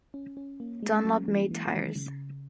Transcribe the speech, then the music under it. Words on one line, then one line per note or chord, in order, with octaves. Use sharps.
Dunlop made tyres.
C#4
C#4
A#3
G#3
F#3
E3
E3
D#3
C#3